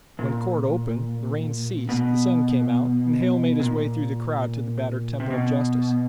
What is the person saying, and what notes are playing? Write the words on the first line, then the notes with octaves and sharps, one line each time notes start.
When court opened, the rain ceased, the sun came out and Hale made his way through the crowd to the battered temple of justice.
A#2
B2
A#2
C3
B2